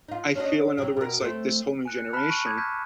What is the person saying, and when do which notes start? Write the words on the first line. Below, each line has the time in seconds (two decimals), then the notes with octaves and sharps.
I feel in other words, like, this whole new generation,
0.09 D#4 F4
0.35 C#4 D4 D#5
0.78 C3 F#3
0.97 B2 A#4
1.21 A3 C4
1.85 G#5 F#6 C#7
2.13 A5 B5 F6 F#6 B6 E7
2.29 C#6 D#7
2.45 A5 D6 D#6 G6 G#6 A#6
2.57 C#6 F6 G6 G#6 A#6 B6